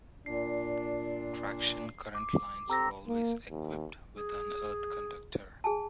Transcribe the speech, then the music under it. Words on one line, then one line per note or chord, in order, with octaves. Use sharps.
Traction current lines are always equipped with an earth conductor.
A#2 D4 C7
D6
C4 G4 A4 A#5 E6 A#6
A#3
D#2
G#4
G#4 G#5 A5